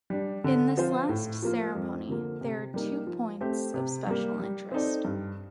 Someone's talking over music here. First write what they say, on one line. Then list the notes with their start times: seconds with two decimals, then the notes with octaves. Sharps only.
In this last ceremony, there are two points of special interest.
0.10 G3 D4
0.44 D3
0.77 F3 C4 F4 C5
1.09 A2
1.42 F3 A#3 F4
1.75 F2
2.09 D3 F3 A#3
2.41 C3
2.74 G3 A#3 D#4
3.07 F3
3.41 A3 C4 G4
3.74 C3
4.07 G3 A#3
4.39 G3
4.72 C4 D#4 A4 D5
5.05 G2